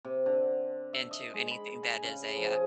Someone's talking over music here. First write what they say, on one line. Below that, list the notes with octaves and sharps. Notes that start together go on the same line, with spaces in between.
into anything that is a, uh
C3
D3
E5
D#5
G#3
B5
G#5
C#3
F3
G#4